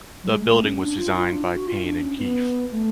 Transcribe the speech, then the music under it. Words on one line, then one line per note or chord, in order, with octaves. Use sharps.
The building was designed by Payne and Keefe.
F#3
G#3
A3
A3
C#4
D4
F4
F4
D4
F4
F#4
F4
D4
C#4
B3
A3